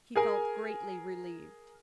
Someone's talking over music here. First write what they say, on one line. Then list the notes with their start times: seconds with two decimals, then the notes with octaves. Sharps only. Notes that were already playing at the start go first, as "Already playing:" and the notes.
He felt greatly relieved.
0.15 G#4 A#4 G#5